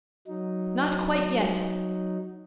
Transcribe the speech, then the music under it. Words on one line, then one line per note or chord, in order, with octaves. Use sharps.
Not quite yet.
F#3 D#4